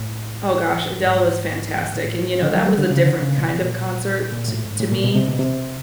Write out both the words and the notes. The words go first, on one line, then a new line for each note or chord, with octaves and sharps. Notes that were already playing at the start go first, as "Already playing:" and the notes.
oh gosh, Adele was fantastic, and you know, that was a different kind of concert to to me.
Already playing: A2
G#2
A2
D3
F#3
G3
D3
C#3
D3
C#3
B2
A#2
A#2
A2
G#2
A2
A#2
B2
C3
B2
C3